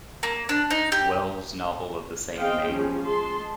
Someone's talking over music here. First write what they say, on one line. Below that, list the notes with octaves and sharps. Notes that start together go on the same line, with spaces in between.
Wells novel of the same name.
A#3
D4
D#4
G4
C4 G#4 D#5 F5 G5
F3 G3 C#4 G#4
G#3 A5 C6